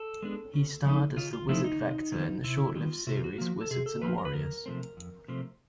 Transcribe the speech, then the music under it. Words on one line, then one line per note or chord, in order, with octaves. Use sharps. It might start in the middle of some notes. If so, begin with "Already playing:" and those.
He starred as the wizard Vector in the short-lived series "Wizards and Warriors".
Already playing: A4
G#3 B3 D4
C#3
F3 A3 C4 D#4
C#3 F4
F4
F3 A3 C4 D#4 E4
D#4
C3
D#3 G3 B3
C3 E4
D#3 G3 B3 F4
C3 F#4
F4
F#4
F3 A#3
A4
C3 G#4
A4
F3 A#3 B4
A#4
B4
F2 A#4
C3 F3 A3 C4
F2
C3 F3 A3 C4